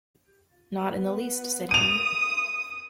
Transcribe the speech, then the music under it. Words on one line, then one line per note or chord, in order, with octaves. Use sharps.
"Not in the least," said he.
B3
D#6 D#7 F7